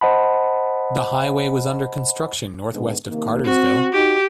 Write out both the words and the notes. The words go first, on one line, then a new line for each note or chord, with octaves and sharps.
The highway was under construction northwest of Cartersville.
C5 D#5 F#5 A5 B5
G#2 D3 B3
C3 D#3 A#3
C4 F#4
D#4 F#4 G4